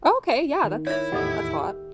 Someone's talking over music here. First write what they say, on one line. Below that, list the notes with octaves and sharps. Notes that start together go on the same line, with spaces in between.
Okay, yeah. That's that's hot.
D#3
E4 C#5 E5
E2 A2 D#3 G4 A4 D#5 E5 F#5